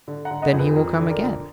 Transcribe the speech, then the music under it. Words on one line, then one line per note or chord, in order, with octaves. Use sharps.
"Then he will come again."
D3
F#5 A#5
D3
D#5 F#5
F2
G#4 B4
F2 A#4
D3
A#4 D5
D3